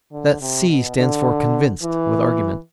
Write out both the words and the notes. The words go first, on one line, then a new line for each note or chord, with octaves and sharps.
That 'C' stands for 'convinced,' with argument.
D3
C3
B2
D3
E3